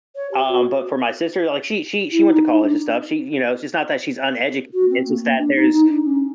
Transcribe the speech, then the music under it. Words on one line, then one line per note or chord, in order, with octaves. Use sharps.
um, but for my sister, like she she she went to college and stuff. She you know, it's not that she's uneducated, it's just that there's,
C#5
G4
F#4
E4
D#4
D#4
D4
F#4
C4
A#3
A#3
D4
D#4
D#4
D4
C#4